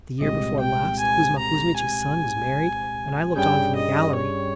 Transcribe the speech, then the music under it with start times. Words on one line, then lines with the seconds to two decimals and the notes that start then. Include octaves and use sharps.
The year before last, Kuzma Kuzmitch's son was married and I looked on from the gallery.
0.20 C2 A#2 G#3 C4 G4 D#5
0.60 G5
0.99 G#5
1.38 A#5
1.78 G#5
3.36 G2 G3 C#4 G#4 G5
3.76 D#5
4.15 C#5